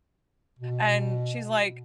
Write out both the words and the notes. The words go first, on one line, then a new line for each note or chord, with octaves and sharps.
and she's like,
B2